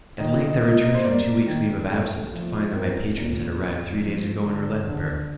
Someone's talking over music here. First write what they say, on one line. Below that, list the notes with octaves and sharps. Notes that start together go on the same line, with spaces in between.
At length I returned from two weeks leave of absence to find that my patrons had arrived three days ago in Roulettenberg.
D#3 D#5
D#5
A#3 D#5
D#5
C5
A#3 D5
D#3
A3
F3
C4 A#4
A#2
C4
F3
D3
D3